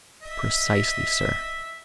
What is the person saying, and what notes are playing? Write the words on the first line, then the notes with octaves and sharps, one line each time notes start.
"Precisely, sir."
D#5 E5